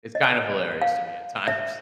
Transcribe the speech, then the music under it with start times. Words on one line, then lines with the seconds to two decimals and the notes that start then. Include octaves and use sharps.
It's kind of hilarious to me at times.
0.15 D#5
0.82 F5
1.48 E5